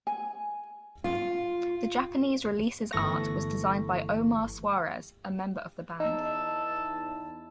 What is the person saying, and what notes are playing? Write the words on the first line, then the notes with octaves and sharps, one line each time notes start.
The Japanese release's art was designed by Omar Swarez, a member of the band.
G#5
F4
G1 E3 A3 A4 C#6 A#6
E2 D#4 E4 A5 E6